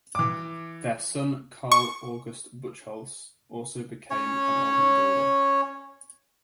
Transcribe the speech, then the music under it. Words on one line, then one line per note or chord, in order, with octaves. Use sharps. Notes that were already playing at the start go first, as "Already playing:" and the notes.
Their son Carl August Buchholz also became an organ builder.
E3 D6
C#6
C#4 C#5